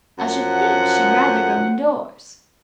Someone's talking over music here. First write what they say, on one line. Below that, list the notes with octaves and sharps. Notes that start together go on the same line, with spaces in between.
"I should think she'd rather go indoors."
F#2 F3 F#5